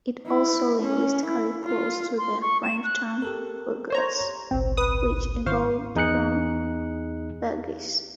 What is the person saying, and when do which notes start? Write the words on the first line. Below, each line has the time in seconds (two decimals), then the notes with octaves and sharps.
It is also linguistically close to the French term "Bourgeois", which evolved from "burgeis".
0.27 E4
0.83 C#4
1.27 E4
1.65 F4
2.18 C6
2.42 C#6
2.63 E7
2.84 F#6
3.22 G4 A4 A#4
3.90 C5 C#5 A#5
4.51 G#1 C#2 A#2 C4
4.77 B4 D#6
5.46 G#1 G#2 E4 C5 F5 C#6
5.95 E2 D#4 G#4 F#6 C#7